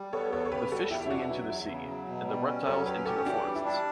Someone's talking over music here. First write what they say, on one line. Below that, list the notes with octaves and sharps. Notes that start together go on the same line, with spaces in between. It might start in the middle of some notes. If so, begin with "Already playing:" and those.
The fish flee into the sea, and the reptiles into the forests.
Already playing: G3
B3 A4 C#5
E2 A4 C#5
C#5
C#3 G4 B4
G3 F#4 A4
E2 E4 G4
E4
B2 D4 F#4
F#3 E4
E2 E4
C#3
F#3
B2
G3
C#4
F#3 A4 C#5
C#4 G4 B4
F#4 G4 A4
E3 D4 F#4
G3
E4
D4